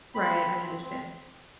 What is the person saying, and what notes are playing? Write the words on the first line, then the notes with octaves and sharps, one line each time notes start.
Right. I understand.
C4 B5
C4
C4
C4